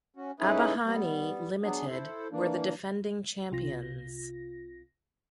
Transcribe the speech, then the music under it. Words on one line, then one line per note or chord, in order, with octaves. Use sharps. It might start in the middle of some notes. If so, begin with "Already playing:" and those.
Abahani Limited were the defending champions.
C#4 F#4
A3 C#4 D#4 E4 G#4 B4
G3 B3
F#3 B3 D4 G#4
E4 A4 C5
E3 A#3 D4
C2 C3 F4 A#6